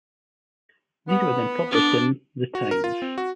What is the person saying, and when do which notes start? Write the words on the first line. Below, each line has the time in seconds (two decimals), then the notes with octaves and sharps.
These were then published in "The Times".
1.08 B3
1.71 D4
2.55 F#4
2.71 A#4
2.84 F4
3.02 C4
3.18 F#4